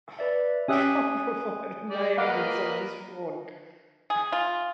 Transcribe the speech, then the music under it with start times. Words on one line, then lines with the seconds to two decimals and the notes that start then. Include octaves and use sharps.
Trump provided no evidence of this fraud.
0.19 B4 D5 E5
0.68 C#4 G4 E5 G#5 D#6 F#6
1.90 G3 D5
2.18 A#3 B4 D#5 F5 F#5 D6
4.10 G#4
4.32 F4